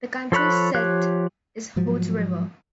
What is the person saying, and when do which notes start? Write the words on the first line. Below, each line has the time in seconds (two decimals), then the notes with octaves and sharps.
The county seat is Hood River.
0.32 F3 A4 C#5 B5 F#6
0.74 F3 G4 C#5 F#6
1.76 G#2 F3 F#3